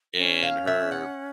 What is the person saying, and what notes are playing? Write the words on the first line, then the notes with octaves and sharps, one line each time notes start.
and her
C#4
F5
E5
F#5